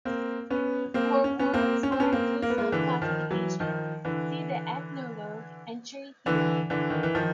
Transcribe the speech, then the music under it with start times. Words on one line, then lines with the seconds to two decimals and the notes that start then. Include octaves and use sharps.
For Wurm's more inclusive classification, see the Ethnologue entry here.
0.05 A#3 C4
0.50 B3 C#4
0.94 A#3 C4
1.24 C#4
1.39 B3 C#4
1.54 A#3 C4
1.83 C#4
1.92 C4
2.00 B3 C#4
2.12 A#3 C4
2.42 A#3
2.50 B3
2.58 G#3 A#3
2.72 D3 E3
3.02 D#3 F3
3.30 E3 F#3
3.60 D#3 F3
4.05 D3 E3
6.26 D3 E3
6.70 D3 E3
6.90 D#3
7.03 E3
7.15 D#3 F3